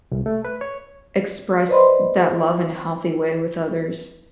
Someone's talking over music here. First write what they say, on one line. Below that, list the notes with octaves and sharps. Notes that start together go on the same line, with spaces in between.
express that love in a healthy way with others.
C2
A3
B4
C#5
B4 C5 D5 D#5 B5 C6